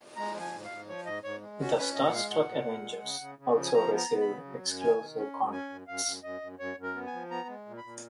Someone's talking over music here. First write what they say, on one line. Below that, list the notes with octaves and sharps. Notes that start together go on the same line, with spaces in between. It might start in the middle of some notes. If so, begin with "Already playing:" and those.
The "Starstruck Avengers" also received exclusive contracts.
G#3 A#5
F3
G#5
G#2
F5
G#2
F3 C#5
G#2 D#5
G#2 C#5
G#3
C#4 F#4
C#4 B4
A#2 D#5
F#5
G#3 F5
A#2 F#5
A#2
A#2
G#3
C#3
C#3
C#3
F3
G#5
F3 A#5
B3
A#5
B3
B5
C#3
F#3
F#2
D#3 G#5
D#3
C#4
F#2
C#4 G#5
F#2
F#2 F5
F#2
F#2 D#5
F#2
F#2 C#5
F#2
A#4
B3
G#5
F3
B3 A#5
G#3
A#2
B5
A#2